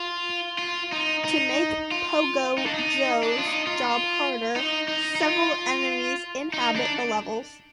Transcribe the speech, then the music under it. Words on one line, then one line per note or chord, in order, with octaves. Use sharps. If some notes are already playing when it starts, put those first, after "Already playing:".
To make Pogo Joe's job harder, several enemies inhabit the levels.
Already playing: F4
F4
D#4
D#4
F4
D#4
D4
D#4
D4
F4
D#4
F4
D#4
D#4
D#4
F4
D#4
D4